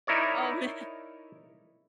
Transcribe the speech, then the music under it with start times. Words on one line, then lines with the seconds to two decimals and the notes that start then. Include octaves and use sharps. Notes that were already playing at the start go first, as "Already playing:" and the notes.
Oh, man.
0.07 D#4 E4 A#4 C#5 D5